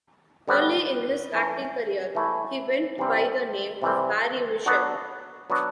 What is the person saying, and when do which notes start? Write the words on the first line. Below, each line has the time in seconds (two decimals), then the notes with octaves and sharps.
Early in his acting career, he went by the name of Barry Mitchell.
0.48 D3 G3 B3 F#4 B4
1.31 E3 A3 E4
2.15 E3 A3 E4
2.98 C3 E3 G3 C4
3.82 C3 E3 G3 C4
4.66 F#3 B3 D4 F#4
5.50 F#3 B3 D4 F#4